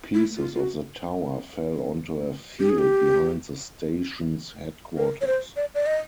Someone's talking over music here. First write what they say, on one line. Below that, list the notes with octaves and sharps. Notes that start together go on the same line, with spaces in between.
Pieces of the tower fell onto a field behind the station's headquarters.
E4
F4
F4
F#4
G4
G#4
G4
A#4
C#5
C5
D5
D5
D#5